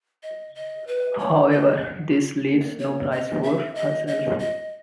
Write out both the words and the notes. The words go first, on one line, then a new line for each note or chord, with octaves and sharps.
However this leaves no prize for herself.
D#5
D#5
B4
C#5
D#5
C#5
D#5
E5
D#5
D#5
D#5